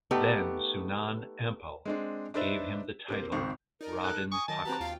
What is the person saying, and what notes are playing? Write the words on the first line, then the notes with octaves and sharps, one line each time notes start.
Then Sunan Ampel gave him the title Raden Paku.
A3 B3 D#4 G4
G#3 C4 D4
D4 D#4 B4 C5 D5 E5
A#3 C4 G4
G#1 C#2 C4 C#6
D#4 A#4 D5
A4 F#6
G#5 C#6 D#6
D#3 F#3 D#5 A5
C4 F#4 G4 B4 A#5
D#2 F4 F5 G5